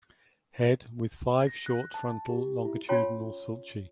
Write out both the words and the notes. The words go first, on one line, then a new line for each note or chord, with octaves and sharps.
Head with five short frontal longitudinal sulci.
A#6
F#6
A5
G4
E4
C#4 F4 C#5 G5 A5 C6